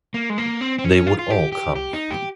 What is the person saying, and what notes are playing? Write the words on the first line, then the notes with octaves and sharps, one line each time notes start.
They would all come.
A#3
G#3
A#3
C4
C4
C#4
F4
F4
G4
G4
G4
D#4
G4